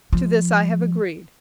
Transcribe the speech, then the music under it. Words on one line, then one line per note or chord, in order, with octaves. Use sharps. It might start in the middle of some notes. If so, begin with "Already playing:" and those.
To this I have agreed.
F3